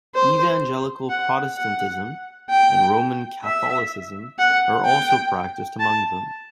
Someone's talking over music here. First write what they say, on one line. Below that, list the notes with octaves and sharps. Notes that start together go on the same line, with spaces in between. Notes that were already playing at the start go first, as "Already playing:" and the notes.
Evangelical Protestantism and Roman Catholicism are also practiced among them.
C5
F#5
F#5
G5
E5
F#5
G5
A5